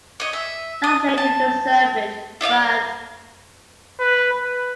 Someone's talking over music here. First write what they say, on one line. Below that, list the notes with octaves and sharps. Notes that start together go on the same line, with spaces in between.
Not saying you deserve it, but...
C#5 D#5
E5
D#6
A5
E4 D5 D#5 F5
B4
B4